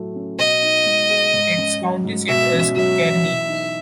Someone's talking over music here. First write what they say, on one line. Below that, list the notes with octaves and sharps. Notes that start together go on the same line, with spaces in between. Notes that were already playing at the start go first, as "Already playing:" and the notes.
Its county seat is Kearney.
Already playing: A2 F#3 A3
C#4
B2 D#5
D#4
G#3
G#4
G#2
C#4
F#3
G#2
B2 E5
C#4
F#3 E5
B2
E3
D#4